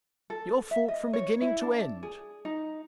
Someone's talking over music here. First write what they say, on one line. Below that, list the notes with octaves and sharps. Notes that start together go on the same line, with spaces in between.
'Your fault from beginning to end.'
A4
E5
D#5
C#5
E4
D4
G#4
D#4